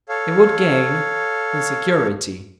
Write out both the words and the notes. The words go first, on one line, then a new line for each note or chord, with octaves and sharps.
"It would gain in security."
A4 C#5 F5